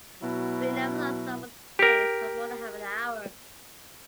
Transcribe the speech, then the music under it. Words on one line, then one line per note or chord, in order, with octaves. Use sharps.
We never lost someone’s trace or more than half an hour.
B2 F#3 E4
G4 A#4